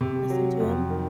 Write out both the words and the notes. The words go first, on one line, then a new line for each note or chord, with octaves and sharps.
listen to 'em,
C3
F#3
F2
D#3